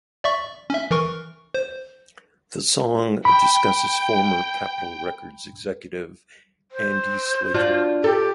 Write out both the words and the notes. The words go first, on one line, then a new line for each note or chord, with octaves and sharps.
The song discusses former Capitol Records executive Andy Slater.
D5 E5 C#6
C#4 E5
E3 A#4 C#6
C5
G5 B5
C5
D4 F4 F#4
G4 A4